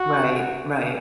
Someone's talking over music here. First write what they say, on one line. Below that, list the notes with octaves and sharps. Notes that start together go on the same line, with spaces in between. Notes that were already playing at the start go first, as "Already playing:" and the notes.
Right, right.
Already playing: F#4